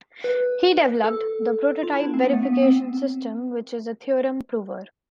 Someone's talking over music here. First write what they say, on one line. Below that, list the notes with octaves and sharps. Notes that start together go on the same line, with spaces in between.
He developed the Prototype Verification System, which is a theorem prover.
B4
A4
F4
E4
D4
C4
B3
A3
B3
B3
C4